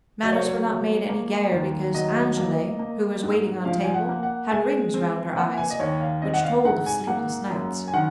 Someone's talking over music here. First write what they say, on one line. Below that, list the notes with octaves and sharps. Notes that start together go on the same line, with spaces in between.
Matters were not made any gayer because Angele, who was waiting on table, had rings round her eyes, which told of sleepless nights.
F#3 D#5
C#5
C5
C#5
A#3
A#3
D#2
F#3 D#5
A#3
A#3
G#2
F3 F5
G#5
F#5
A#3
F#5
G#3 G#5
C4
A#3 F#5
G#5
D#5
D#2 C#5
F5
C4 D#5
F#5
F5
G#2 F#5
G#5
A#3 F#5
F#2
G#5
D#3 F#5